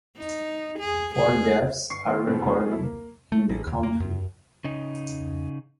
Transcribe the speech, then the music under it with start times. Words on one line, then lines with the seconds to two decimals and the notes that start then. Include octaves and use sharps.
Four deaths are recorded in the country.
0.17 D#4
0.79 G#4
1.15 G#4
1.90 G1 C#6 C7
2.06 D#3 B3 C6
2.27 G#2 B2 E3 A3 B3 C4
2.47 A#3 C4 D#4 F4 G#4
2.70 F#3 E4 A4
2.83 A#3
3.32 A3
3.49 A1
3.67 D#2
3.83 A#3
4.00 F#2
4.64 C#3 D#4